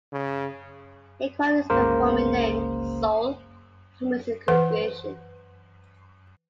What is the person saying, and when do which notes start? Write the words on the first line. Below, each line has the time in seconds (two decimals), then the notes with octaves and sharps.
He acquired his performing name, "Soul," from his congregation.
0.13 C#3
1.70 G1 C#2 C#3 A#3 A#4 C5
4.48 E3 B4 F#5